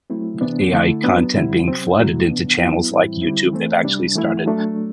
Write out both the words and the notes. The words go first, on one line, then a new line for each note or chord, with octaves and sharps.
with AI content being flooded into channels like YouTube, they've actually started,
F#3 A3 C4 E4
C3 E3 B3 D4
D3 A3 E4
F#3 B3 D4
D3 G3 C4 E4
C3 F#3 C4
F#3 A3 E4
C3 E3 B3 D4
F#3 B3 E4
A2 E3 G3 C4 E4
D3 G3 C4 E4
E3 A3 C4
C3 G3 D4
E3 A3 E4
F#3 A3 D4